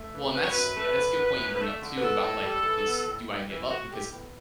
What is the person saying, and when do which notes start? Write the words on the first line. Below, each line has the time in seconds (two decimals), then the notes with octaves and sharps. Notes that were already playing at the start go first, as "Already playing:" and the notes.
Well, and that's that's a good point you bring up, too, about like this "Do I give up?" Because
Already playing: A3
0.14 E3
0.35 F#2 B4
0.42 C#5
0.51 B4
0.57 F#2
0.77 A3
0.98 D3
1.19 F#2
1.40 F#2
1.61 A3
1.81 D3
1.98 B4
2.02 B3 A4
2.24 A2
2.45 G3
2.66 E3
2.87 B3
3.08 A2
3.29 G3
3.50 E3
3.70 A2 F#4
3.91 A2 G4
4.12 B3